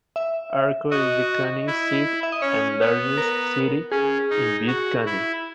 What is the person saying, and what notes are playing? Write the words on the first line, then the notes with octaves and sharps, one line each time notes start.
Arco is the county seat and largest city in Butte County.
E5
F#4 D#5
E4
E5
D#5
C#4 C#5
B3
A#4
C#4 G#4
D#4
F#4
E4